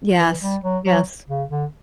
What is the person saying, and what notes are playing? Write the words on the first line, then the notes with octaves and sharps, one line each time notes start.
Yes, yes.
E3
G3
F#3
F#3
C#3
D3